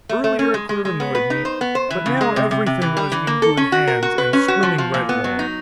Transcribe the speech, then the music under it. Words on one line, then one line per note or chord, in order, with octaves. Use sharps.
Earlier it could have annoyed me, but now everything was in good hands and swimming right along.
A3
A3
C#4
G#3
G#3
G#3
B3
B4
D#4
C5
B3
C5
E3
C#3
G#3
C3
C3
C3
E3
G3
E3
A#3
A4
C#4
F#4
A#4
F#4
B4
C#4
F#4
F3
F3
A#2
B3
F#3
D#4